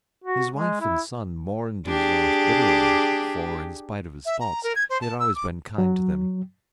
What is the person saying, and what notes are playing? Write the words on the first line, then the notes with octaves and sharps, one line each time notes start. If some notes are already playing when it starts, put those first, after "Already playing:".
His wife and son mourned his loss bitterly, for, in spite of his faults, he had always been kind to them.
F#4
G#3
E4
D4 G4 G#4
E5
A#5
A#4
G#6
C5
A5
E6
D6
F#3